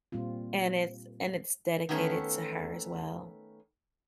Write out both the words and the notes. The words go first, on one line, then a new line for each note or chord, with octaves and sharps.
and it's and it's dedicated to her as well.
A#2 G3 C4 F4
D#3 A3 B3 C#4 A4